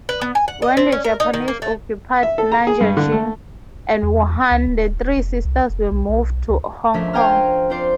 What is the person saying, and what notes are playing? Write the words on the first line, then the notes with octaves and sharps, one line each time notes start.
When the Japanese occupied Nanjing and Wuhan, the three sisters moved to Hong Kong.
B4
B3
G#5
F#5
D#5
C4
C#4
A#4
D#4
D#3
A#3
A3
E5
A4
A#5
G#4
G2
D3
A3
E2
C#2
D1
D#1
F1
C2
F1
B1
B1
C#2
F3 A3 C#4 D4 A#4 E5
C5 F5 G5 G#5 A#5 F6
C4 F4 C5 D5